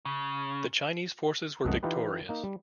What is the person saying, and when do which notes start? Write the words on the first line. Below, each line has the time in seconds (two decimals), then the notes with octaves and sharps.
The Chinese forces were victorious.
0.05 C#3
1.65 C2 F#2 E3 A3 D#5 F#5
1.83 E3 D#4 F4 G4 B4
2.29 A#3 D#4
2.44 G3